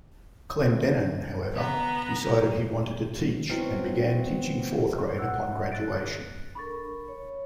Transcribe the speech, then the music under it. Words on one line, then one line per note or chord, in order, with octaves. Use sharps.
Clendenon, however, decided he wanted to teach, and began teaching fourth grade upon graduation.
B3 A#5
F#3 B3 C4 E4 B4 D#5
F#5 E6 F#6
F#6 A6 D7
D4 A4 A#4 B5 C#6 A6
C#5